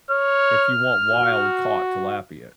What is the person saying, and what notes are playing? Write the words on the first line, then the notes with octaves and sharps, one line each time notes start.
if you want wild-caught tilapia,
C#5 F6
F#4